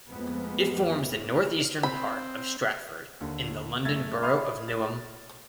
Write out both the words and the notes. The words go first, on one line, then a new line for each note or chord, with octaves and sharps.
It forms the northeastern part of Stratford in the London Borough of Newham.
F2 A2 F3 G#3 A#3 B3
C4 B5
D#2 D3
F#1 A3 E5 E6 G#6 A6
E5 B5 C6 D#6 F6
A6